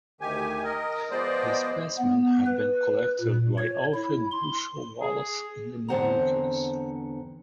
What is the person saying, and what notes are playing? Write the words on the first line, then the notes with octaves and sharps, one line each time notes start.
The specimen had been collected by Alfred Russel Wallace in the Moluccas.
D2 D#3 G4 G#5
A#4 D#5
F3 G#3 B3 C5 D5 D#5
B3
B4
A#2
C#5
E4
C6
G#4
E2 D3 C4 C5 F#5 A#5